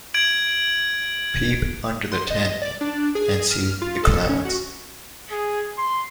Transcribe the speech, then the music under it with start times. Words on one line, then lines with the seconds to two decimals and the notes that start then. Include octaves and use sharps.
Peep under the tent and see the clowns.
0.14 G#6 D7 F#7
2.12 C6
2.30 D#5
2.62 D5
2.81 D4
3.15 G#4
3.50 F6
3.82 F4
4.04 A4
4.29 C#4
4.45 F#4
5.31 G#4
5.78 C6